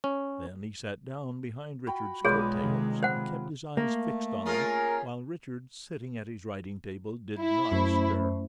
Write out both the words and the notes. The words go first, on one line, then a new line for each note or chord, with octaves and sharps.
Then he sat down behind Richard's coat-tails and kept his eyes fixed on them, while Richard, sitting at his writing-table, did not stir.
C#4
F#4 G5 B5
B1 G#3 F4 G#4 B4 C#5 D5 D#6
C3 D#3
C5 F#5
A3 A#3
C#4 F4 G#4 A#4
E4
F#2 A3 C#4 C5